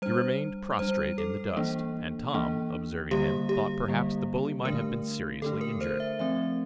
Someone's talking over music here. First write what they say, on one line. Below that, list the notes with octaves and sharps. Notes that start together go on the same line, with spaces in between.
He remained prostrate in the dust, and Tom, observing him, thought perhaps the bully might have been seriously injured.
G3 D4 C5
G3 D4 C5
A4
E3 A#3 D4
E3 A#3 D4
D3 G3 A#3 G4
G4
D3 G3 A#3
D3 A3 D4 A#4
D3 A3 D4 A4
A#4
C5
E5
F3 A3 C4 E5